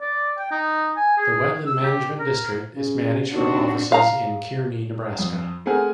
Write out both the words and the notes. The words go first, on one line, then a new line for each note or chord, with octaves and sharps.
The Wetland Management District is managed from offices in Kearney, Nebraska.
D5
G5
D#4
G#5
G#4
E6
G4
A#4
C#3
D#2 C4 D4 F#4
F5 A#5
F2
A3 C4 G#4 A#4 F#5 G#5